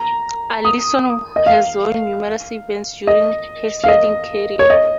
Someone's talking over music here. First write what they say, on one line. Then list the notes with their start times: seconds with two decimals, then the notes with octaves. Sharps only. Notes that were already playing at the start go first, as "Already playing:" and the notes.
Alison has won numerous events during her sailing career.
Already playing: A#5
0.65 D#6
1.36 D#5
1.46 F5
3.07 D#5
3.84 F5
3.88 D#5
4.59 C#5
4.70 D#5